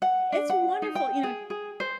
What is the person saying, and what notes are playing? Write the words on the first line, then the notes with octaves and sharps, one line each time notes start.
It's wonderful, you know,
F#5
D4
F#5
D#4
G5
G#4
G#4
C5